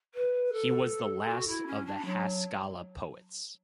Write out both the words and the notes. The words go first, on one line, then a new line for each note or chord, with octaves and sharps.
He was the last of the Haskala poets.
B4
A4
F#4
E4
C#4
D4
F#3